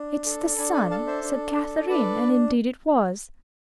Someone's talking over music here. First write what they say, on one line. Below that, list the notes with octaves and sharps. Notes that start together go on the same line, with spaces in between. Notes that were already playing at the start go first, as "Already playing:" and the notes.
"It's the sun," said Katharine, and indeed it was.
Already playing: D4
A4
D4 G#5 B5
G#5 B5
A4 F5 A5
C5 E5
D4
A4
D4 B4 D5